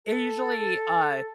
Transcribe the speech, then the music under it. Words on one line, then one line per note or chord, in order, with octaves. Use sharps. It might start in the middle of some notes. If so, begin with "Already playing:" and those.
it usually, uh,
A4